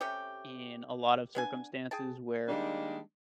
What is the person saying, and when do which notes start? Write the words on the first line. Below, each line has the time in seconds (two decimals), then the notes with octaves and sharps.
in a lot of circumstances where,
0.01 C3 A3 C#4 G4
1.35 B3 D4 G#5
1.91 G#4 G5 A5
2.49 D#3 G3 G#3 A#3 D4 D#4